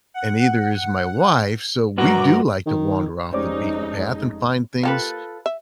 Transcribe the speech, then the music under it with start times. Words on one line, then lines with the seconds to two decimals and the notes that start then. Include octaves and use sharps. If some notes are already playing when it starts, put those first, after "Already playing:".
and neither is my wife, so we do like to wander off the beaten path and find things
0.14 F#5
1.98 G2 F#4 A#5 D6
2.66 D#3
3.33 F1 G#3 C#4 D#4 G4 C5 D5 D6
4.83 A#3 F4 G4 A4 B4
5.46 E5